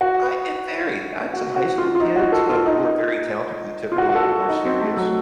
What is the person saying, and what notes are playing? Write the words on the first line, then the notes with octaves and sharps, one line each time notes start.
I It varied, I had some high school kids, uh, who were very talented, who took it a little bit more serious,
F#4
F#4
F#4
F4
F4
D#4
F#4
A4
F4
D#4
F4
F#4
F#4
A4
F#4
D#4
C4
A3
F#3